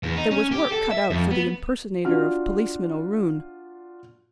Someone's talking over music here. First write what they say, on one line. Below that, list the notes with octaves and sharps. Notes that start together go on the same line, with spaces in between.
There was work cut out for the impersonator of Policeman O'Roon.
E2
D#4
C#4
G4
A4
E5
F2
B3
D4 F4 F#4 F6